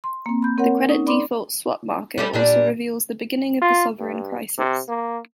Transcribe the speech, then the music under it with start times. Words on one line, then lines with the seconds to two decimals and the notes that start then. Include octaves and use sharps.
The Credit default swap market also reveals the beginning of the sovereign crisis.
0.04 C6
0.26 A#3 C4
0.42 B5 G6
0.58 C4 A#4 C#5 F#5
0.89 C#4 D#4
1.06 D5 B5 C6 D6
2.18 G3 A3 C#4
2.33 A#2 G3 D4
3.62 F4
3.99 G2
4.58 C3
4.89 A#3